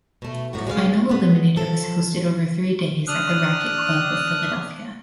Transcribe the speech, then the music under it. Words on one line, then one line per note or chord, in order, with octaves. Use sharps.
The Final Eliminator was hosted over three days at the Racquet Club of Philadelphia.
B2 A3
A2 C3 F#4
G#3 B3 C#5 F5
G#3 B3
F3 A4
D4 D#6 F6 F#6